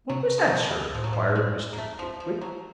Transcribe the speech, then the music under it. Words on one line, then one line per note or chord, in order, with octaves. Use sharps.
'What was that, sir?' inquired Mr. Pickwick.
C3 F#3
F3
F#3
B2 F3
E3
A2 F3
F#3
F3
G#3
A#3
A3
F3
F3
F#3